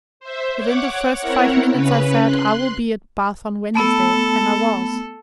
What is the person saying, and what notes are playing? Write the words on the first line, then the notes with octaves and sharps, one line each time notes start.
Within the first five minutes I said, 'I will be at Bath on Wednesday,' and I was.
C5 E5
C#5 F#5 D6
C4 E4 A#4 C#5 F#5
C#3 C#4 B4
C6 F#6
A3 B3 A4 E6